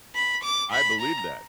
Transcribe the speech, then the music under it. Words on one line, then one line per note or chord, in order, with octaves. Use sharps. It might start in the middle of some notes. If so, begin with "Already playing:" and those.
I believe that.
B5
D6
B5
A#5